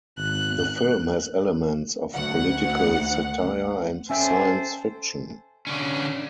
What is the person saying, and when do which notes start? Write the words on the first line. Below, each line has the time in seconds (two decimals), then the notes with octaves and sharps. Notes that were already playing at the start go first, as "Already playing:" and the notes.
The film has elements of political satire and science fiction.
0.18 G#1 F#6
2.13 D2 F#5
4.10 C#4 A4 C5 E5 G5 G#5
5.67 D3 C#4